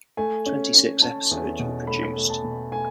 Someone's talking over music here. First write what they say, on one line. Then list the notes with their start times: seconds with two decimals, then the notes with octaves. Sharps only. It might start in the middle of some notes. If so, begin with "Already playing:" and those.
Twenty-six episodes were produced.
0.17 A3 G#5
0.46 C#4
0.74 C#4
1.02 C#4 A5
1.31 E2
1.59 B2
1.87 A3 B5
2.16 A3
2.30 A5
2.44 B2
2.72 A3 G#5